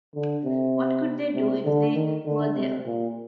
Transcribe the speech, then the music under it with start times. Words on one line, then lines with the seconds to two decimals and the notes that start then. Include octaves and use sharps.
What could they do if they were there?
0.15 D3
0.45 C3
1.34 C3
1.64 D3
1.95 D#3
2.25 D3
2.55 C3
2.85 A#2